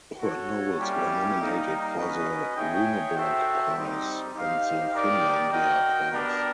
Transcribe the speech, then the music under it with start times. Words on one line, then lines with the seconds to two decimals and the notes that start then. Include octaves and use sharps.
Her novels were nominated for the Runeberg Prize and the Finlandia Prize.
0.20 F#4 A4 C#5
0.78 G3 A#3 C#4 E4 G4
1.38 G3 A#3 D#4
1.97 C#4 F#4 B4 D#5
2.56 D#4 G#4 C#5 E5 G5
3.15 F#4 A4 C5 E5 G5
3.75 G3 C4 D#4
4.34 D#4 G4 C5 F5
4.93 D#4 G4 A#4 D5 G5
5.52 F#4 A#4 D#5 G5
6.11 B3 D4 G4 A#4